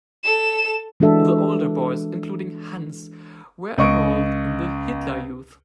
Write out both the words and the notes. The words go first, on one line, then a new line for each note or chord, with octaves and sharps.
The older boys, including Hans, were enrolled in the Hitler Youth.
A4 E7
E3 G#3 D4 F#4 A4 E5
C#2 D#5 C#6 D7